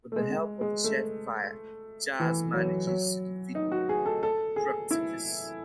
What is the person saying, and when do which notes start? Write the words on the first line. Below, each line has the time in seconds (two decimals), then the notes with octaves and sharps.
With the help of Jetfire, Jazz manages to defeat Bruticus.
0.12 A3
0.16 G#3
0.61 G#3
0.84 A3
2.20 E3
2.54 F#3
2.87 F#3
3.55 D#4
3.72 F#4
3.89 G#4
4.06 A4
4.23 A4
4.56 G#4
4.91 E4